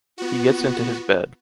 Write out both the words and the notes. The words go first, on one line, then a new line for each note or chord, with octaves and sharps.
He gets into his bed.
B3 F4 F#4